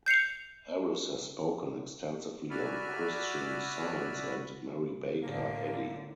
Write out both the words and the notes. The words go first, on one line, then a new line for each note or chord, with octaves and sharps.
Harris has spoken extensively on Christian Science and Mary Baker Eddy.
G6 C7 C#7 F7
F#4 D5 E5 G#5 B5 F6
A2 D3 A#3